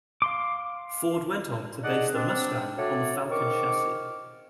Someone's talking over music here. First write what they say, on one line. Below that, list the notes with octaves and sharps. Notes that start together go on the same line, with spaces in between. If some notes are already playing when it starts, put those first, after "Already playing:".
Ford went on to base the Mustang on the Falcon chassis.
F5 C6 D6
D4 D#4 G#4 D5 D#5 F#5
C4 D4
F#3 A3 F#4 C#5 D5
G#2 D#3 A#4 C#6 D6